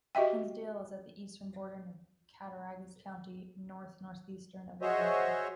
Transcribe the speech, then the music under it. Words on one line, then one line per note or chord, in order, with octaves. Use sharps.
Hinsdale is at the eastern border of Cattaraugus County, north-northeast of Olean.
F#4 G4 D#5 E5 G5
F#4 G#4 C5 C#5 D#5 E5